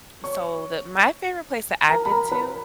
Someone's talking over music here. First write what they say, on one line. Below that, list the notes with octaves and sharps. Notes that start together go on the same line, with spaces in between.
so the my favorite place that I've been to,
C#5 C#6
A#4 A#5
B5
A#4 A#5
B4 B5